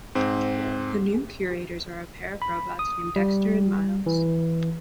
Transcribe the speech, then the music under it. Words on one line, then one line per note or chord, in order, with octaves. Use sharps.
The new curators are a pair of robots named Dexter and Myles.
G#2 C4
B5
D#6
G3
E3